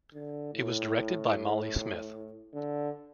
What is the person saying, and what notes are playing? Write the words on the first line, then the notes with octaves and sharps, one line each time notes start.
It was directed by Molly Smith.
D3
A2
D3